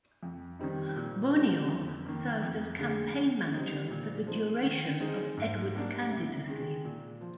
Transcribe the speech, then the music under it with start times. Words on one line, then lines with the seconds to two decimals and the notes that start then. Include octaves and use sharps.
Bonior served as campaign manager for the duration of Edwards' candidacy.
0.23 F2
0.59 D#3 G3 C4 D#4
0.96 A#2
1.32 G3 A#3 D4
1.69 F2
2.06 D#3 A#3
2.43 F2
2.79 D3 G#3
3.16 D3
3.54 G3 C4 D#4
3.90 A#2
4.27 F3 C4 D#4
4.63 D#3
5.00 G#3 C4 D#4
5.37 G#2
5.74 G3 A#3 D4
6.11 C3
6.48 D#3 G#3
6.84 A#2
7.21 F3